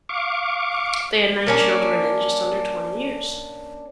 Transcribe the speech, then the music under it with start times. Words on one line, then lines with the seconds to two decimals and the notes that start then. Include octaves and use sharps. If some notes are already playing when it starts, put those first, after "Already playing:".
They had nine children in just under twenty years.
0.09 F5 C#6 D6
1.47 A#3 C#4 D4